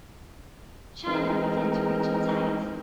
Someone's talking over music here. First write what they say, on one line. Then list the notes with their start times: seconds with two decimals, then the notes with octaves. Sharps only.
China began to reach its height.
1.07 E3 G#3 C4 D#4 A#4